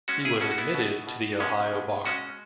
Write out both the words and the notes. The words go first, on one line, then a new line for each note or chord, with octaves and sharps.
He was admitted to the Ohio bar.
G#3 C#4 F#4
E4 G#4
B2 C#4 F#4
F#4
B3 E4
B2
B2
B2 G#3 C#4
B2
G#3 C#4 F#4